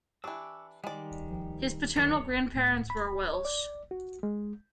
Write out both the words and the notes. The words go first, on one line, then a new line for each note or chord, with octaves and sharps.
His paternal grandparents were Welsh.
E3 D4 G4 C#6 D6 E6
D#3 G3 G#3 D5
F3 C5 G5
F#2 D3 D#3 F#3 C#5
A2
B5
C#5
D5
F#4
G#3